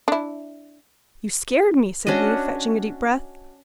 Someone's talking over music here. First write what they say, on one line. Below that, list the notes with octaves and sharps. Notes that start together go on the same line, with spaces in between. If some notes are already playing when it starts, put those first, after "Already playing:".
"You scared me!" said he, fetching a deep breath.
D4 E4
C#4 D4 F#4 D#5